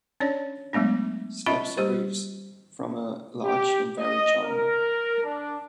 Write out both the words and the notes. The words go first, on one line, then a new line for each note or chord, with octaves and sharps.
Slab serifs form a large and varied genre.
C#4 D4 C#5 D5
F#3 G#3 A3 B3 D4
C#4 F4 D#5 E5 B5
G3 G4 C5
G4
D#5
A#4
D4